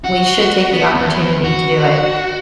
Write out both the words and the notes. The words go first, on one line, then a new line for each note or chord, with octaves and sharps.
we should take the opportunity to do it,
F#4
B3
E2
F#4